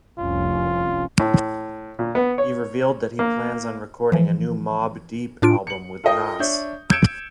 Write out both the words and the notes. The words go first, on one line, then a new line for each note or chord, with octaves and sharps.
He revealed that he plans on recording a new Mobb Deep album with Nas.
F1 C2 C#4 F4
A2
A#2
B3
C#5
A#3
E3 F3
A2 D4 F4 D7
C#7 F#7
F4 A4 A#4 D#5 G5 D#6
D4 C#5 E5 C#6 G6
E6 G6 G#6 C#7 D7 E7